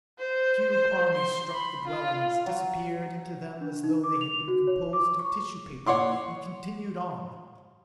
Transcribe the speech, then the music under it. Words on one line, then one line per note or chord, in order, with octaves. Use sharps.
The cube-army struck the dwellings, disappeared into them as though they had been composed of tissue paper, and continued on!
C5
C5
C6
B5
F4
F#3
D4
D#4
D6
F7
F#4
C#5
D6
C#6
C#5 F#5 C6 D6